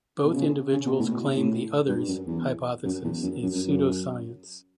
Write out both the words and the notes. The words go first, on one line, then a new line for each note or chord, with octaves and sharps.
Both individuals claim the other's hypothesis is pseudoscience.
B2
C#3
C#3
B2
A2
B2
C#3
A2
G2
F#2
E2
F#2
E2
F#2
F#2
F#2
F#2